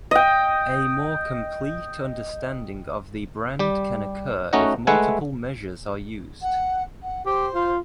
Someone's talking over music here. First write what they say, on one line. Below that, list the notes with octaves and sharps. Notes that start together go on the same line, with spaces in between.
A more complete understanding of the brand can occur if multiple measures are used.
D#5 G5
G3 G4
A3 C#4 D#4 F#4 D#5 F#5
G#3 A3 B4 E5 F#5 G#5
F#5
F#5
G4 C5
F4